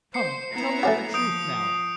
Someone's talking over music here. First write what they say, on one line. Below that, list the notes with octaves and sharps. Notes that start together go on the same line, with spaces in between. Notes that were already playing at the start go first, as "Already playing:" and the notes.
"Come--tell me the truth now."
C5 C7 C#7
B3 E4 A#5
A3 C#4 F#4
F3 D#6 G6 D7